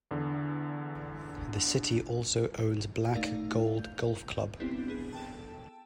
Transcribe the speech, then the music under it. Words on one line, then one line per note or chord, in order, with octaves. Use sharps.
The city also owns Black Gold Golf Club.
E2 D3
A3 D#4 A#4 D5 F5
G6 F7
B3 C4 D4 E4 G4
B3 G#4
A4 G5 A5